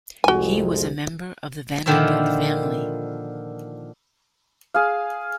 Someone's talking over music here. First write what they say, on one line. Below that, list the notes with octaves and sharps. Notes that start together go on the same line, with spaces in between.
He was a member of the Vanderbilt family.
C2 F2 G#3 F#4 G#5
A#2 D3 D#3 F3 E4 E5
G#4 F5